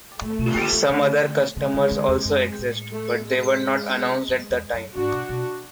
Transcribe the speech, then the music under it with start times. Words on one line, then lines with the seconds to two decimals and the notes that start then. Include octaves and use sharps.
Some other customers also exist, but they were not announced at the time.
0.21 A2 A3
0.39 B2
0.55 D3
0.72 E3
0.89 D3
1.56 C#3 G#3
1.74 D3
1.91 D3
2.08 E2
2.25 F#2
2.58 A2
2.92 A3
3.26 G#3
4.28 F#2
4.50 E2
4.73 F#2
4.95 G#2 D4 F#4
5.12 B2
5.29 B2